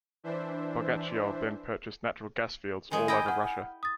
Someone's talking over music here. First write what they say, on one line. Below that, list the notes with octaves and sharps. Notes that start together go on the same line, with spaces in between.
Bogachyov then purchased natural gas fields all over Russia.
E3 D4 C5 E5
D#3 G#3 G#5
E4 D#5 G5 A#6
F#5 F6
D#6 A6